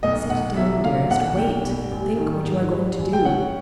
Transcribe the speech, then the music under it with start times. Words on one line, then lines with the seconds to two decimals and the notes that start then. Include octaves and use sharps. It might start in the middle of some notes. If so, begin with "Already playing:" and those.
Sit down, dearest; wait--think what you are going to do.
0.03 B1 D#5
0.30 B1 F#5
0.56 F#3 E5
0.83 A#2 F5
1.10 B1 F#5
1.37 B1 G5
1.64 G3
1.91 A1
2.17 D#3
2.44 G#2
2.72 G3
2.98 A1
3.13 G5
3.25 C#4 F#5